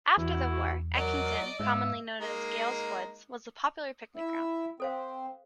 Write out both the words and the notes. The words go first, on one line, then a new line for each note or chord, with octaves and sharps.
After the war, Eckington, commonly known as Gales Woods, was a popular picnic ground.
E2 E4 F#4
F#3 A#4 D5 D#5
G#2 E5 F5
G#3 A#3 D#4
E4 E5
C4 A4 C5 F5